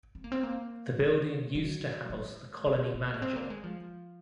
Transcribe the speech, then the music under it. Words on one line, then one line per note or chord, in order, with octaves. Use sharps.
The building used to house the colony manager.
C4
A#3
C4
A#3
G#3
F#3
G#3
A#3
C4
A#3
C4
A#3
G#3
F3